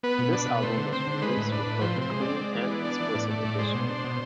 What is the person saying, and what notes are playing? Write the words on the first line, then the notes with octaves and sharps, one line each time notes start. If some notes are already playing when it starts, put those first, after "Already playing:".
This album was released with both a "clean" and "explicit" edition.
B3 B4
B2
D4 B4
B2
A3 C5
D3
C4 C5
D3
G#3 B4
A2
D4 B4
A2
F3 C5
C3
C5
G#3
C4 D5
G#3
E3
B3
D4
E3
A2
A3
A2
G#3 C5
B2
D4
B2